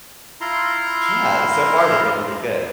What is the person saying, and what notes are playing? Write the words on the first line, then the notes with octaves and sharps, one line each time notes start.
yeah, so far they've been really good.
E4 F4 A#5 C6